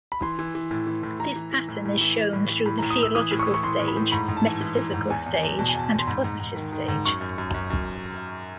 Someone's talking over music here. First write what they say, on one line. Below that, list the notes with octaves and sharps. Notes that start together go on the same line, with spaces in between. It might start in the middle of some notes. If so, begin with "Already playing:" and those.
This pattern is shown through the theological stage, metaphysical stage, and positive stage.
B5
E3 C6
E3
E3
A2
E3
A2
E3 A#5
E3
E3
A2
A2
E3
E3
A2
E3
A2 B5
A#5
A2
D#6
A2 E6
E3 D#6
A2
C#6
E3
C#6
A2 C6
A2
B5
A2
G#2 B5
G#2
A5
E3
E3
E3
G#2
E2 G#5
E2
G#5
E2
B2 A5
G#5
E2 A5
E2
C6
G#2 B5
G#2
G#2
D#3
D#3
G#2
F#2 C#6
F#2
F#2
F#2
F#2